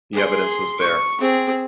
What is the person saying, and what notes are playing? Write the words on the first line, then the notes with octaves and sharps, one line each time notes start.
The evidence was there.
G#4 C6
C#6
C4 G#4